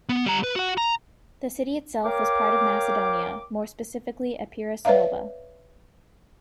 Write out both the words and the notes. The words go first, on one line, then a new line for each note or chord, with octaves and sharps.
The city itself was part of Macedonia, more specifically Epirus Nova.
B3
G3 A#5
B4
F#4 F#5
A#5
A#4 C#5 F5 G5 D6
B4 C#5 D5 E5 F5